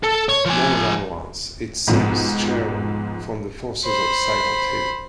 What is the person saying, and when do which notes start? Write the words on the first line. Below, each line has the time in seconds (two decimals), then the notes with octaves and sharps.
More than once, it saves Sharon from the forces of Silent Hill.
0.04 A4
0.29 C#5
0.45 F3 G#5
1.87 B1 G#2 F3 B3
3.85 C5 B5